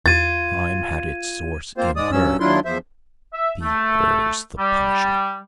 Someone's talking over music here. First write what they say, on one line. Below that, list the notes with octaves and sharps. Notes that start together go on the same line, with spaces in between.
The crime had its source in her; be hers the punishment!
E2 F4 G#6 A6 D#7
A#3 C4 F4 C5
G#2 G#3 D5 D#6
G2 F#3 C#4 E6
D#2 F#3 D4 E4 F4 C6
E2 F3 C5 E5
E5
A3
G3